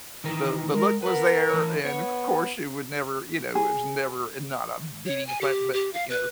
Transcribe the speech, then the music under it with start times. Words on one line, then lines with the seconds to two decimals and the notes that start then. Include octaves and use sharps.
the the look was there, and, of course, she would never, you know, it was never uh, not a beating of flat, but t you know,
0.24 D#3 E3 A#4
0.74 G#3 A#4
1.02 A#4 B4 F#5
1.50 E3 C#5
1.85 B3 C#5
3.55 G#4
5.06 C#5
5.27 G#5
5.41 G4
5.73 G4
5.94 F5
6.10 B4